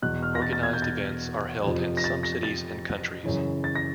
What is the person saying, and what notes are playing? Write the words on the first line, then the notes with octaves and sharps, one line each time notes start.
Organized events are held in some cities and countries.
E2 B2 F#6
F6
A#6
A6
A6
G#6
G6
A6
F2 C3 F3
A#6
A6
A#6
A6
F#2 C#3 E3
A6
A#6